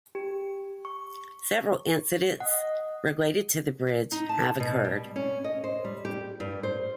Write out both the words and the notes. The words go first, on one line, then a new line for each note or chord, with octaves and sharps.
Several incidents related to the bridge have occurred.
G4
C#6
D#5 F#5
D#4
A5
B2
G3
C#4
D#5
C5
G3
G4
G2
C5